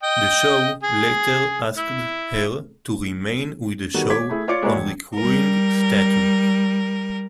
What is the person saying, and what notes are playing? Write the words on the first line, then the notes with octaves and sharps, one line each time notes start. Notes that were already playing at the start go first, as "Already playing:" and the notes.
The show later asked her to remain with the show on recurring status.
D#5 G5
G#4
E4
D#3 G3 B3 F#4 A4
C#5 D6 G#6 B6
A3 E4 G#4
F4 C#5 D5 D6 G#6 C#7
G#3 A#3 E4 F#4 C#5 D5
E1
G3 A#4